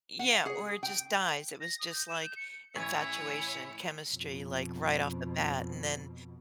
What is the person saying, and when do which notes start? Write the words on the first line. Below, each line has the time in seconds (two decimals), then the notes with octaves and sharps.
Yeah, or it just dies, it was just, like, infatuation, chemistry, like, right off the bat, and then
0.19 F#5
0.46 G#4
0.83 G5
1.61 A#6
1.80 D#6
1.93 G6
2.08 E7
2.22 G6
2.36 C#7
2.76 A1 E4 C#5 E5 G#5 C#6 G#6
4.11 F2 B2